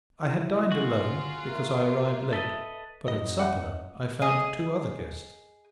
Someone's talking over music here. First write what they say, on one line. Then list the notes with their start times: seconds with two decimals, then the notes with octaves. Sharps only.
I had dined alone, because I arrived late; but at supper I found two other guests.
0.20 E4
0.72 F4 F#4 G#4
1.48 A#4 E5
2.33 A4 B4 D#5
3.08 F#2 F4 D#5
3.39 C#5 E5 F#5
4.22 G#4 D#5